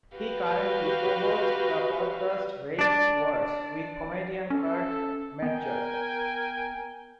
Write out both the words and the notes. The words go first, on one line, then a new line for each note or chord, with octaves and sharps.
He currently co-hosts the podcast "Race Wars" with comedian Kurt Metzger.
F#4 G4 B4 F5
D4 D5
C#4 A4
B3 A#4 G5 G#5